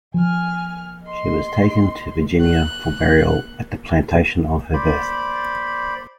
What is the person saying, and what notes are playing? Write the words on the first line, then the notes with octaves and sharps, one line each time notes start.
She was taken to Virginia for burial at the plantation of her birth.
F3 G#5 F6
D#5 C6
F#6
C5 D5 B5